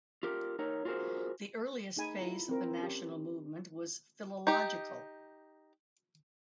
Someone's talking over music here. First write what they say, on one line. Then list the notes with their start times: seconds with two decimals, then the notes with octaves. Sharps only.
The earliest phase of the national movement was philological.
0.23 F4 G4 A#4
0.59 D#4 A#4 C#5
0.85 F4 F#4 G#4 A#4 C5
1.96 A3 D#4 G#4 G#5 B5
2.19 E4 F4 A#5
2.49 C4 A#4
2.79 C#4 G4
4.47 D#4 G4